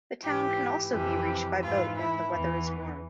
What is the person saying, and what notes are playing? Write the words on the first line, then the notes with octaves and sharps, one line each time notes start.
The town can also be reached by boat when the weather is warm.
G#2 E3 G4
F2 C3 E3 G4
G#2 E3 F4
E4
E2 E3